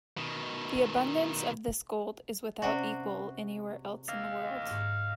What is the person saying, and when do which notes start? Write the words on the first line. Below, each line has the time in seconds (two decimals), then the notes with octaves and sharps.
The abundance of this gold is without equal anywhere else in the world.
0.17 B2 D#3
2.62 C3 C#4 F#4 D5
4.08 D#5 F5
4.71 G#2